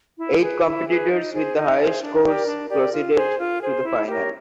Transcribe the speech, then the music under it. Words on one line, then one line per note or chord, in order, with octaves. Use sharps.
Eight competitors with the highest scores proceeded to the finals.
E4
G#4 B4
E4
G#4 B4
D#4
G#4 C5
D#4
G#4 C5
D4
G4 A#4 D5
D4
G4 A#4 D5
F4
G#4 C5
F4
G#4 C5
E4
G4 A#4 C#5